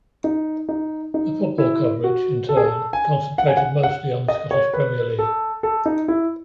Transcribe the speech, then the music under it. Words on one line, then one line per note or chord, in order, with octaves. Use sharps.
The football coverage, in turn, concentrated mostly on the Scottish Premier League.
D#4
D#4
D#4
E4
F#4
A4
G#4
A4
G#5
F#5
G#5
F#5
F#5
D#5
C#5
B4
A4
A4
D#4
E4